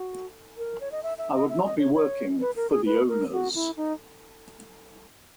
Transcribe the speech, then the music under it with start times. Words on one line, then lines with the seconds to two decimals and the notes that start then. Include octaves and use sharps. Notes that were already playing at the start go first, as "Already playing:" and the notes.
I would not be working "for the owners".
Already playing: F#4
0.57 A#4
0.81 C#5
0.92 D#5
1.03 E5
1.18 E5
1.35 D#5
1.50 E5
1.64 D#5
1.79 C#5
1.95 C#5
2.40 B4
2.56 A#4
2.70 G#4
2.86 B4
3.08 A#4
3.32 F#4
3.55 E4
3.77 D#4